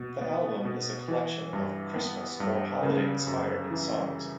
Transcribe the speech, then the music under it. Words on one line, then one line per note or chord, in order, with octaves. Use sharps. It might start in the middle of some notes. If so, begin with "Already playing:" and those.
The album is a collection of Christmas or holiday-inspired songs.
Already playing: B2
B3
B2
E3
G2
B3
G2
C#3
F#2
E3